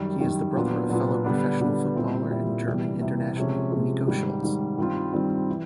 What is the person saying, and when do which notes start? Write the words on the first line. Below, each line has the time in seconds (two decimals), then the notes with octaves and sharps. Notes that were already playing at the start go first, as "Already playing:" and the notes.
He is the brother of fellow professional footballer and German international Nico Schulz.
Already playing: F#2 D#3 G3
0.19 F#2 D#3 G3
0.55 A#2 F#3 B3 D4 F4
0.90 A#2 F#3 B3 D4 F4
1.24 D3 G3 B3 D4
1.61 D3 G3 B3 D4
1.95 A#2 G3 C4 E4
2.30 A#2 G3 C4 E4
2.66 C3 E3 G3
3.01 C3 E3 G3
3.37 C3 F3 G#3 C#4
3.72 C3 F3 G#3 C#4
4.08 G#2 D#3 G3
4.43 G#2 D#3 G3
4.78 G2 D#3 G3 C4 F4
5.13 G2 D#3 G3 C4 F4
5.50 E3